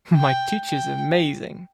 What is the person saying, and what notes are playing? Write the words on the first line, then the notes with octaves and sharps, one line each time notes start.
My teacher is amazing.
G5
G5